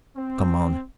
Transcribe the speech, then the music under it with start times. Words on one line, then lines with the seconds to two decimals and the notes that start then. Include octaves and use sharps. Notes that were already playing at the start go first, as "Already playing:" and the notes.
Come on!
0.17 C4